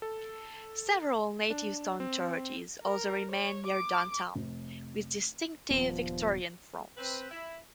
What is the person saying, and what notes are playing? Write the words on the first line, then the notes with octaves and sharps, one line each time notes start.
Several native-stone churches also remain near downtown, with distinctive Victorian fronts.
A4
D4
C4
A#4
C#5
D6
F1
D#1 G2 F3 B3
C4 B4
E4